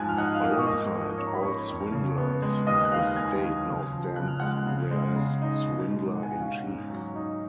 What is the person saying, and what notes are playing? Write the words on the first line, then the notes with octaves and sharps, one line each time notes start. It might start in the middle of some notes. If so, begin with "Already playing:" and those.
Alongside all swindlers the state now stands there as swindler-in-chief.
Already playing: G#2 F3 G#5 F#6 G#6
F6
D#4 F#5 F#6
F5 F6
A#3
D#6
C#6
G#2 D#5 D#6
F3
D#6
C#4 C#5 C#6
A#5
B5
A#3 C#5 C#6
F2
C#3
B3
G#3
D#2 D#5 D#6
F#6
D#3 F5 F6
D#2 G#5 G#6
F#3
C#3
F3
C#3 F#6
F6
G#3 F#5 F#6
C#3
G#3
C#3
D#4
B2
G#3
B2 F#5
G#5
F#5
C#4 F5
G#2
F#3
D#4